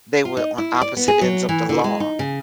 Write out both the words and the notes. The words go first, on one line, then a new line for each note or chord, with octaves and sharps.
they were on opposite ends of the law.
F4
D#4
E4
D5
B3
G#4
F#3
E3
D3
G#3
D#4
C#3